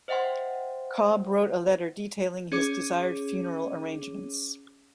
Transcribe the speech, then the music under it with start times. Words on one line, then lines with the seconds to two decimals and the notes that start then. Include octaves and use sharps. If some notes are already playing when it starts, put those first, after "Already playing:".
Cobb wrote a letter detailing his desired funeral arrangements.
0.08 C5 D#5 E5 F#5 G5 C6
2.52 C#4 G#4 C#5 D6 D#7